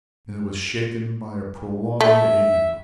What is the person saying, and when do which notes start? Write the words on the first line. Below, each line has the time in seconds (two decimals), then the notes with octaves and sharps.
Then it was shaken by a prolonged ague.
2.01 A3 E5